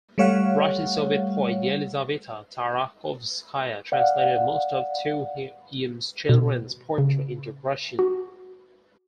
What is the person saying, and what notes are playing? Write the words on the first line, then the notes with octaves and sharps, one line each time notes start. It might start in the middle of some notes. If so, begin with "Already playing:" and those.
Russian Soviet poet Yelizaveta Tarakhovskaya translated most of Tuwim's children's poetry into Russian.
G3 A3 C#5 F5 F#5
D5 F5 F#5
B2
C#3
F#4